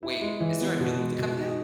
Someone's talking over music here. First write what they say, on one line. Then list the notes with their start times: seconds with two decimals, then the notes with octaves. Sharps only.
Wait. Is there a new movie coming out?
0.03 E4
0.21 G#3
0.40 E3
0.61 B3
0.80 B2
0.99 G#3
1.19 B2
1.37 D#4